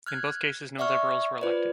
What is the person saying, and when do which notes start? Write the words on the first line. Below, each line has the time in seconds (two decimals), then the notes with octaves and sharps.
In both cases no Liberals were elected.
0.06 F6 F#6 G#6
0.79 D5 E5 F#5 C#6 F6
1.41 F4 B4 C5 D5